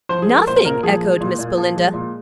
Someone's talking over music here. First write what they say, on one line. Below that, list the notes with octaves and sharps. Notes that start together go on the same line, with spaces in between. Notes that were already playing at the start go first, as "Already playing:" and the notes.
"Nothing!" echoed Miss Belinda.
F3 C5
G#4
G#3
A#4
A#2 C5
A#2 A#4
F3 G#4
G#3
A#2
A#2
F3
G#3
A#2